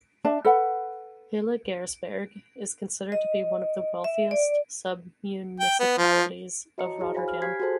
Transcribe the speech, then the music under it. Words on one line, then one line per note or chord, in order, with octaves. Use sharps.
Hillegersberg is considered to be one of the wealthiest sub-municipalities of Rotterdam.
D4 D5 E5 A5
A4 B4 F#5
D#5
E5
D5
G5
B3
F3
F#4 C#5 D#5 A5 A#5 C#7
E4 F#4 G#4
C5 C#5 F5 G#5 B5
B5 F6
G4 G#5 G6 G#6 B6 C7
F#4 G#4 A4 C5 A5